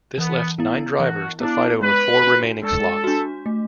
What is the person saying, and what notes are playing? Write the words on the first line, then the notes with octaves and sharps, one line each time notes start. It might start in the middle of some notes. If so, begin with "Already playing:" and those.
This left nine drivers to fight over four remaining slots.
E3 B3
B3 E4
E3 F#4
B3 D4 E4
G#3 B4
D4 F#4
G#3 A4
D4 F#4
A3